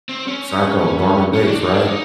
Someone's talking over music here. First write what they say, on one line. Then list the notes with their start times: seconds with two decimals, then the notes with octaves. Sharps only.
Psycho, Norman Bates right?
0.09 C4
0.27 C#4
1.34 C#4
1.48 D4
1.61 D#4
1.74 D4
1.88 D#4